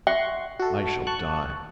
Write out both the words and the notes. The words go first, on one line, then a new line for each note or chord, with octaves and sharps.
I shall die!
E5 F#5 C6 C#6
F#4 A4
A5 C#6 F#6